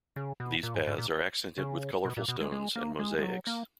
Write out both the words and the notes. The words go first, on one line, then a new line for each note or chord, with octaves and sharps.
These paths are accented with colorful stones and mosaics.
C#3
B2
A#2
G#2
G#2
A#2
C#3
B2
A#2
B2
G#3
G#3
A#3
G#3
G#3
F#3
A#3